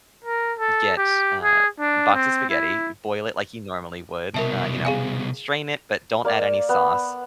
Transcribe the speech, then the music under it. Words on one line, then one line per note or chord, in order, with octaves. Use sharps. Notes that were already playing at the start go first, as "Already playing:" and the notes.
get, uh, box of spaghetti, boil it like you normally would, uh, you know, strain it, but don't add any sauce,
A#4
A4
G4
G#4
D4
C4
E4
C2 B2 A#4 E5 A5
G#4 F5 G#5
A#3 D5
B3